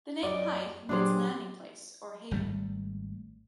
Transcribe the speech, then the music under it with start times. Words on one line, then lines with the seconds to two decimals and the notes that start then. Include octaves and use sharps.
The name Hythe means landing-place or haven.
0.23 F#2 D5 D#5
0.89 A#2 F#3 D4 G4 G#4 C5
2.31 G#1 G3 A3